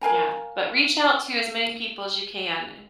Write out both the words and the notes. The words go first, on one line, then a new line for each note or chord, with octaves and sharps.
Yeah. But reach out to as many people as you can.
A#4 F5 G#5 A#5